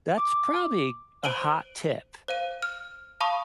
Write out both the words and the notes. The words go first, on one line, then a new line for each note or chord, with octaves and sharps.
that's probably a hot tip.
D6
C5 D7 D#7 F#7 G7
C5 F5 D#7
F6
F5 A5 B5 C#6 D#6